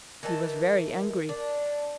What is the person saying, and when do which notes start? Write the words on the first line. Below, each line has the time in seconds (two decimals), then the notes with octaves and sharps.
He was very angry.
0.23 E3 D#4 A#4 A5
1.29 D4